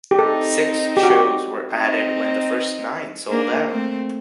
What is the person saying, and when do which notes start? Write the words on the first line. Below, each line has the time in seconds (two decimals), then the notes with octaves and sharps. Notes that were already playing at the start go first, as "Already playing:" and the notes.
Six shows were added when the first nine sold out.
0.11 G4
0.19 C4 D#4 A4
0.97 G4
1.03 F#4
1.10 G4
1.74 C4 D#4
3.30 A#3 D4
3.69 A3 C4